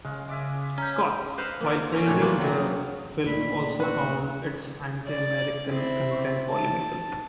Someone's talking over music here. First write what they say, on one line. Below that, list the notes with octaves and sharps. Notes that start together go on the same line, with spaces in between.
Scott, while praising the film also found its anti-American content polemical.
C#3 G#3 F5
D5 E5 G#5
C#4 A#5 G6
B4 C5 D#5 F5 F#5
A#3 F4
F#2 C#4 G#5 A#5
A2 C3 D4 E4 C#5
E3 G3 A#3 B3 D4 F4
C3 F#3
D2 A#2 D#3 D5 B5
C4 F#4 B4
D5
C4 E4
A5